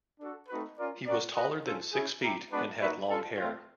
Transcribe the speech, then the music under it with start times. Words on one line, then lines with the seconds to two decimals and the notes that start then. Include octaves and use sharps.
He was taller than six feet and had long hair.
0.20 D4 F#4 A4
0.49 A3 C4 D#4 F#4 B4
0.79 C#4 F4 A#4 D5
1.07 C#4 F#4 A#4 D5
1.36 F#4 B4 D#5 F#5
1.66 C#4 F4 A4
1.93 C#4 E4 G#4
2.23 E4 G4 A#4
2.52 G#3 B3 D4 F#4 B4
2.81 A#3 D#4 F#4 B4 E5
3.09 C#4 F4 A4
3.38 A3 C4 F4